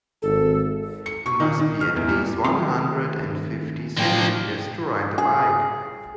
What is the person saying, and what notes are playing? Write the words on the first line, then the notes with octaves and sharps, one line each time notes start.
You must be at least one hundred and fifty centimeters to ride the bike.
G#1 A4
C#7
C#6
D#3
D#3
F6
E2
G3
D#3 A3 C4 A#5 C6
A2 F3 A#3 D4 G5
G#4